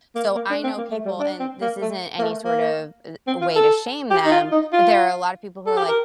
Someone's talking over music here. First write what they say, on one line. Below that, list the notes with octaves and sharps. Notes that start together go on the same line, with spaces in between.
So, I know people and this isn't any sort of, uh, way to shame them, but there are a lot of people who are like,
A#3
A#3
D4
C4
A#3
A3
G3
D4
C4
A#3
A3
A#3
A3
A#3
C4
F4
A4
G4
D#4
F4
D#4
F4
A4
G4
A#4